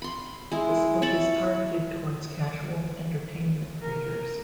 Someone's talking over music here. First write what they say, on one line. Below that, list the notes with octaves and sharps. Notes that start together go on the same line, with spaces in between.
This book is targeted towards casual, entertainment readers.
B5 C6
G#3 E4
C#5 E5 A5 B5
A#4